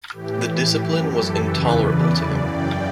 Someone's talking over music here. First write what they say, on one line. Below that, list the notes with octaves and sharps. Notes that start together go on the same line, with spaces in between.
The discipline was intolerable to him.
A2 E3 G4
G4
F#2 E3
A4
E2 C#3 E3 B4
D5
F#2 C#3 E3
G5